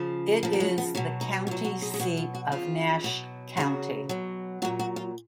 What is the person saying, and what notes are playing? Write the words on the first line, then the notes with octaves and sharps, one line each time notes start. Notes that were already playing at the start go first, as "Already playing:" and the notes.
It is the county seat of Nash County.
Already playing: C#3 F3
C#3 F3 A#3
A#3
G#3
B3
B2 F#3 C#4
D#4
B2 F#3 F4
F#4
G#4
G#4
B2 F#3 F#4
F4
F#4
C#3 F3 F4
B2 F#3
C#3 F#3 F#4
B2 F#3
A#2 F#3 F#4
F#4
F4